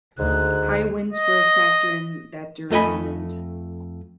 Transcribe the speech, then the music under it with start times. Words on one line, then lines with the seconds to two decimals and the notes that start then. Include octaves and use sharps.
High winds were a factor in that derailment.
0.19 D2 G#2 F#6
1.12 D#5
2.70 F2 A3 D#5 G#5 B5